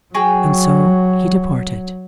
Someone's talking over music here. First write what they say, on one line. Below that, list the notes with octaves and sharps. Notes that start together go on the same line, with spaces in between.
And so he departed.
F#3 F#4 G#4 G5